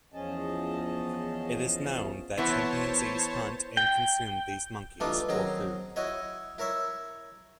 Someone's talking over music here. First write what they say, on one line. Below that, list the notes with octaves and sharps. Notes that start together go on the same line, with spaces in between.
It is known that chimpanzees hunt and consume these monkeys for food.
E2 F3 C#4 G#4 D#5 A5
E3 B3 E4 C5 C#5 A5
G5
E3 G3 A3 D4 D#4 F4
D#3 F#3 C4 C#4 G#4 A#5
E4 F#4 C#5 D#5
E4 A#4 C#5 E5